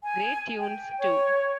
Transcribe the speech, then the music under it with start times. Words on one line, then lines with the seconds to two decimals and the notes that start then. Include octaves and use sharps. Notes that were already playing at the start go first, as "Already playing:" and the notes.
Great tunes too.
0.03 G#5
0.59 G5
0.98 C#5